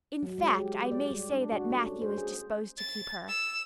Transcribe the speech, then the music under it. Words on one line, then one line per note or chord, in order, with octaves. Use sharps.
In fact I may say that Matthew is disposed to keep her.
F#3
G#3
G4
D5
G3
D4
F#4
A3
C#4
C5
G#4
A6
E6